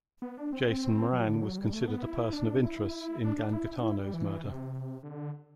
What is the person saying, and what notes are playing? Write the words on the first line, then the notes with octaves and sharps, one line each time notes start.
Jason Moran was considered a person of interest in Gangitano's murder.
B3
D4
C4
F#3
D3
F#3
G3
A3
B3
E4
D4
E4
D4
D4
E4
D4
E4
G3
E3
C3
D3